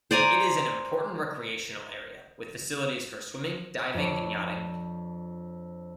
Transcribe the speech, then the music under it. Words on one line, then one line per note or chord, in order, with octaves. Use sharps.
It is an important recreational area, with facilities for swimming, diving and yachting.
C5 D5 G#5 A#5
F2 D4 C#5